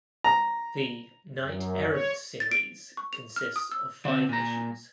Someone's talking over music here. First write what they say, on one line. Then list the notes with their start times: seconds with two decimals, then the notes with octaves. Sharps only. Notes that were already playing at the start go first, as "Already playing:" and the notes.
The "Knight Errant" series consist of five issues.
0.24 A#5
1.38 F#2
1.88 C#5
2.40 A6
2.52 D7
2.97 C#6
3.13 F7
3.36 F6
3.56 D#6
3.71 E6
4.05 D3 C4
4.29 A#2 A#5